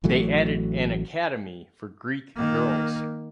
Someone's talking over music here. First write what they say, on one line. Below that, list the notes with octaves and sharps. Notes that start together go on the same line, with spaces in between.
They added an academy for Greek girls.
A1 E3 F#3 A3
D#3 A#3